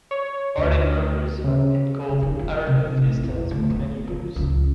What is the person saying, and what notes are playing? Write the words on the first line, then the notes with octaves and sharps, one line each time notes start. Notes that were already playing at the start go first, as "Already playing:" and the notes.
Party members had been called "Arnulfistas" for many years.
C#5
D2
C#3
C#3
D#3
F3
C3
A1
E2
D2
B3
F3
C#2